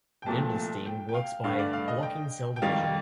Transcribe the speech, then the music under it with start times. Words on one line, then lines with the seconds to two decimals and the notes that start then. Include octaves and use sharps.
Vinblastine works by blocking cell division.
0.22 G5
0.26 C2 A#2 F3 A3 A5
0.56 A5
0.86 G5
1.09 G5
1.14 F5
1.44 G2 D3 A3 F5
1.59 D5
1.73 F5
1.88 D#5
2.03 G5
2.56 G5
2.62 F2 D#3 G3 F5